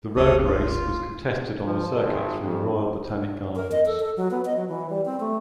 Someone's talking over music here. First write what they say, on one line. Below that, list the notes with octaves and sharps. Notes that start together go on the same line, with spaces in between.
The road race was contested on a circuit through the Royal Botanic Gardens.
F1 C#2 A4 C#5 D#6
F4
F3
G#1
F2
A#4
D#5
A4
A4
F#3
B3
D#5
F#3
E3
G3
C4
A3